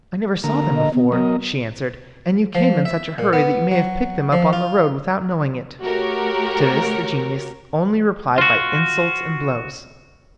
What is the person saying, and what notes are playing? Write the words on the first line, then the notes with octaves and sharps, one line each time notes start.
"I never saw them before," she answered, "and you came in such a hurry that you may have picked them up on the road without knowing it." To this the genius only replied by insults and blows.
D3 A#3 A#5
D#5
B3
F#3 B3 A#4 D#5
F3
E5
A#2
B3
F#3
F3
F4
A3 F#4 G4 A#4 C#5
F4 F#4